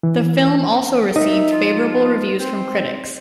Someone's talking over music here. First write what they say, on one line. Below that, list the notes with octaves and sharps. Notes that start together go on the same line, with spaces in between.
The film also received favourable reviews from critics.
E3
D#3 F#3 D#4 E5
F3 F4
C4 C5